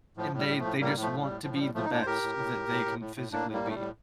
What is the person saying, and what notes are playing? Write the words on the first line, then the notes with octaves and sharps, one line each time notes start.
And they they just want to be the best that they can physically be.
A2 F3
A2
G3
A2
F3 A3
A2
A2 G3 A#3
A2
F3 A3
A2
G3
A2
A2 F3
F3
A2 G3
A2 F3 A3
D#4
A2 A#3 D4
C5
A2 G4 A#4
A2
A2
A2
A2
A2
A2
A2
A2 A#3 D4
A2
G3 A#3
A2
A3
G3
A2